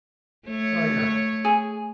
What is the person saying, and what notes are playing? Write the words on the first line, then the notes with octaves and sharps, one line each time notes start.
Oh, yeah.
A3 C#5
G#4